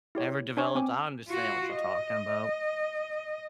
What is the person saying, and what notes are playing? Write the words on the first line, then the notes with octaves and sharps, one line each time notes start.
ever developed, I understand what you're talking about.
E4 G4 C#5
D4 C#5 G#5 C#6
C4 G#5 D6
F4 F#4
D#5